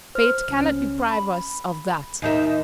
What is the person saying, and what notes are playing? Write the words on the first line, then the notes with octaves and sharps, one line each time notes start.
Fate cannot deprive us of THAT.
C5 F6
C#2 C#4
B5
D#2 D#4 E5